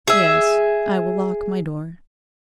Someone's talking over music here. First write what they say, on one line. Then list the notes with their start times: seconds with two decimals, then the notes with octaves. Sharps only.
'Yes, I will lock my door.'
0.08 G#4 E5